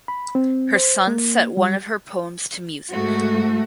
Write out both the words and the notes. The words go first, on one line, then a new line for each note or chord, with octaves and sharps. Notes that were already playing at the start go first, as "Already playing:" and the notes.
Her son set one of her poems to music.
B5
C4
C5
A#3
G3
G#2 A3 F#4